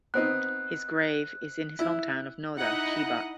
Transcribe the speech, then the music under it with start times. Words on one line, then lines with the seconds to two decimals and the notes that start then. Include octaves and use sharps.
His grave is in his home town of Noda, Chiba.
0.14 B3 C4 D#4 F#6
1.79 E4
2.56 D#4 E4 D#5 F#5